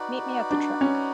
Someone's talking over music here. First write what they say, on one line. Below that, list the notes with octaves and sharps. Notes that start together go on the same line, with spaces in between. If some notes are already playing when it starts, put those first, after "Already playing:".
Meet me at the truck.
Already playing: D#4 F#4 B4 D5
D4
C#4